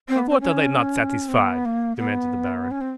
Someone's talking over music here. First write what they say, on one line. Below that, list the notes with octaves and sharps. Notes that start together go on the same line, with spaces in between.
"Of what are they not satisfied?" demanded the Baron.
C4
B3
C4
C#4
C4
B3
A#3
B3
C#4
C4